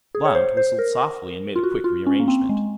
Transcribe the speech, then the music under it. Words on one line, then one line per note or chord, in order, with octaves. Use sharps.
Blount whistled softly and made a quick re-arrangement.
G#4
C#5
C5
C5
A#4
F4
F#4
F4
C#4
A#3
C4
G#3